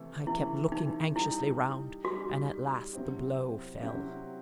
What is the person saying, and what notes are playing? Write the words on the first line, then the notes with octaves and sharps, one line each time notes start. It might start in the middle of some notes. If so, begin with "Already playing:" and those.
I kept looking anxiously round and at last the blow fell!
Already playing: C3 E3 A3
C3 E3 A3 E4
D#4
G3 D#4 E4 G4
G3 D#4 F#4 G4
C3 F#3 C4 E4 G4
C3 F#3 C4 E4 G4